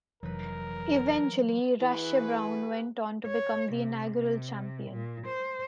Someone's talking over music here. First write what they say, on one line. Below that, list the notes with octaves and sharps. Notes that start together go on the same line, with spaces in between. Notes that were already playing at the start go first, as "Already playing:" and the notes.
Eventually, Rasche Brown went on to become the inaugural champion.
F1 E3 F#3 D#4 A#4 B4
E3 F#4 G#4 B4
C#5
C3
C3
A#2
C5